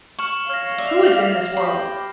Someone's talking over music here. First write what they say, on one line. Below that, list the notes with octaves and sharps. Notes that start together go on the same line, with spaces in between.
"Who is in this world?"
C#6 F6 E7 F#7
C#5 F5 F6 A#6
D5 E5
G4 B5 C7